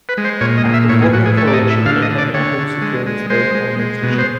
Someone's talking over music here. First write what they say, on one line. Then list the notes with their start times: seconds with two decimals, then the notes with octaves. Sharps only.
After forming a coalition, Netanyahu secured his third prime ministership.
0.09 B4
0.17 G#3
0.24 C5
0.41 A#2 C#5
0.57 D#5
0.65 A#2
0.73 E5
0.89 A2 C#5
1.02 G#4
1.13 A2 F#4
1.26 G#4
1.37 A3 C#5
1.47 D5
1.54 D#5
1.62 A2
1.70 E5
1.86 D3 F5
2.02 D#5
2.10 D3
2.18 D5
2.34 D3 C#5
2.58 D3
2.82 G#3
3.06 G#3
3.30 G#3 C5
3.55 G#3
3.79 G#3
4.03 B2
4.18 C5